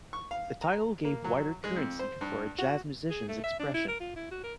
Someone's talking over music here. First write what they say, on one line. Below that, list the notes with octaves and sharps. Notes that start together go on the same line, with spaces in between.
The title gave wider currency for a jazz musician's expression.
C#6
F5
A#5
A#3
F#3
G#3
F2
C5
G2
F#4
G#4
A3
E5
D4
E4
A#4
F4
E4
F#4
A#4